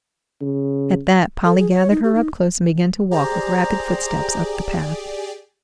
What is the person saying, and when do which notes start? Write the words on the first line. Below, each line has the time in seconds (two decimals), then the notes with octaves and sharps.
At that Polly gathered her up close and began to walk with rapid footsteps up the path.
0.41 C#3
1.45 A4
1.59 G#4
1.71 C#5
1.91 D#4
2.04 G4
2.15 D#4
3.11 G4 G#4 C5 D5 A#5